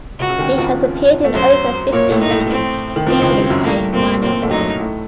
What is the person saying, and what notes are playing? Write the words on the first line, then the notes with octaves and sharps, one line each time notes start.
He has appeared in over fifty movies, usually playing minor roles.
C#2 C#3 F#4
C#3
D#2 D#3
F2 F3
A3
F#2 F#3 C5
A#2 A#3 C#5
A2 A3
D#4
A2 A3
C4
D#3
F2 F3 C4
C#2 C#3
F#2 F#3
A2 A3 A#3
A#2 A#3 C4
A#2 A#3 C4
A3
F#2 F#3 D#4
A2 A3